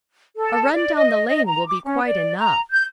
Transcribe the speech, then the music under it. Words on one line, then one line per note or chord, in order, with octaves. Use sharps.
"A run down the lane will be quite enough."
A4
D5
D#5
D#5
A#5
D6
C#4
D5
A#5
G6